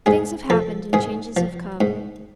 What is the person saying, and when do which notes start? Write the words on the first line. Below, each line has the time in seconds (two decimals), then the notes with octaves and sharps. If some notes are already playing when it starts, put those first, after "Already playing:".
Things have happened, and changes have come.
0.06 G#2 G#4
0.50 F3 A4
0.93 G#2 G#4
1.37 F3
1.81 G#2